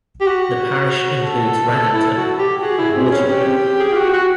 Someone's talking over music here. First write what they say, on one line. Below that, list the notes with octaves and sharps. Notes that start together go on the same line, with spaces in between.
The parish includes Raddington and Waterrow.
G4
F#4
A4
E4
F#4
G4
F#4 G#4
E4
C4
C#4
C#4 G4
C4
G#4
F4
F#4
F#4